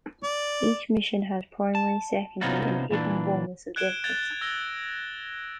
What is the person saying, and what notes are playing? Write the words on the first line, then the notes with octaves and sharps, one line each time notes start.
Each mission has primary, secondary, and hidden bonus objectives.
D5
A5
C3 B3 C#4 D#4 F4 F#4
A#2 E3 D4
F#6 G#6 D7 E7 G7
G#6 A6 F7 G7
E6 A6 A#6 G7